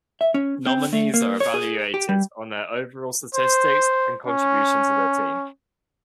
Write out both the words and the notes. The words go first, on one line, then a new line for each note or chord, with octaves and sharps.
Nominees are evaluated on their overall statistics and contribution to the team.
E5
C#4
C4
A3
A#3
C#5
G#4
G4
G3
C5
C#4